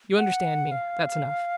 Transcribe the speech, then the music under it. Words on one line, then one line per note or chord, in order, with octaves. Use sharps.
You understand me; that's enough.
F#5
F5